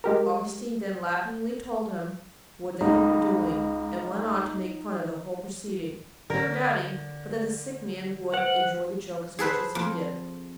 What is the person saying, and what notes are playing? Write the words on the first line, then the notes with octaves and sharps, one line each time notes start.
Augustine then laughingly told him what they had been doing, and went on to make fun of the whole proceeding, never doubting but that the sick man would enjoy the joke as much as he did.
G#3 G4 A#4
C#2 D#4
D3 A#4
B4 C5 F#5
G#4 A4 B4 C5
F2